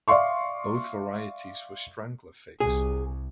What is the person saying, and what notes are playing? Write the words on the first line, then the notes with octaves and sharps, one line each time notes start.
Both varieties were strangler figs.
D5 E5 F5 C6 C#6
C2 G#4